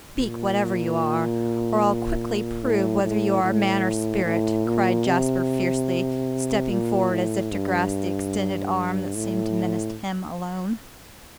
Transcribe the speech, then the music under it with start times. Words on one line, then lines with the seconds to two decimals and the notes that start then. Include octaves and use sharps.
"Speak, whatever you are, or I'll quickly prove whether you are man or spirit!" cried Jasper fiercely, stepping forward as if to grasp the extended arm that seemed to menace him alone.
0.17 A#2
2.62 A2
3.03 A2
3.43 A2
4.25 A2
4.66 A#2
5.07 C3
6.70 A#2
7.11 A2
7.51 G2
9.15 A2